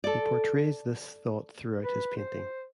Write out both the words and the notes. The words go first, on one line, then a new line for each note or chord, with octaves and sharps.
He portrays this thought throughout his painting.
A4 D5
B4
C5